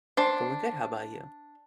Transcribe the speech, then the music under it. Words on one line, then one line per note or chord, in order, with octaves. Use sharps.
Going good, how 'bout you?
D4 C5 A5